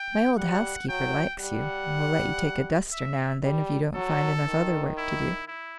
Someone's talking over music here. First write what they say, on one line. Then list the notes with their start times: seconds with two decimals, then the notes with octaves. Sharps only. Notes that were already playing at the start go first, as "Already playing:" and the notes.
My old housekeeper likes you, and will let you take a duster now and then if you don't find enough other work to do.
Already playing: G5
0.38 G3 F#5
0.89 F#3 G5
1.40 G3 F#5
2.92 E5
3.43 G3
3.95 F#3 A4
4.46 D#3
4.98 E4
5.48 E4